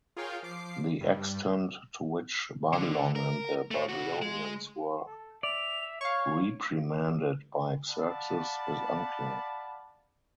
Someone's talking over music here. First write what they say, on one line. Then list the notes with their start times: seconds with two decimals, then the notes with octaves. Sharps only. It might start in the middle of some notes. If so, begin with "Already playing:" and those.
The extent to which Babylon and the Babylonians were reprimanded by Xerxes is unclear.
0.16 F4 G#4 A#4 C#5 F5 G5
0.43 F3 D6 C7
1.01 G2 G3
2.73 D3
3.16 A#4
3.71 A3 C#5
3.89 C3 F#4
4.22 G#3
5.07 A4
5.43 D5 E5 F7
6.01 C#5 F5 C#6 G#6
7.90 D5 F5 F#5 A5 B5